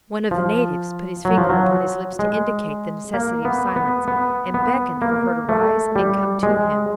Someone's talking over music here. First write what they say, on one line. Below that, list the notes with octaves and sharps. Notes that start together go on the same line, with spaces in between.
One of the natives put his finger upon his lips to indicate the necessity of silence, and beckoned for her to rise and come to him.
F3
F#3
F3
F#3
G#3
A#3
B3
B3
B3
B3
A#3
A3
G3
G#3